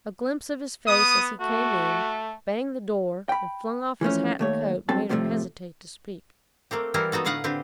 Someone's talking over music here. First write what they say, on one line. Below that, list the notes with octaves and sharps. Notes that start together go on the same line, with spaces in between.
A glimpse of his face as he came in, banged the door, and flung off his hat and coat made her hesitate to speak.
B3 D#6
A3 F#4
G5 B5
E3 F3 A3 C#4
D#2 A3 C#5
G2 F#3 C4 A4 A5
A2 C3 F3 G3 A3
A3 A#3 C4 G4
E3 G3 E4 F4 G4 A#4
B3 D#4 F#4 A4
A2 D3 B4 F5 F#5 A#5
D3 C4 G4 B4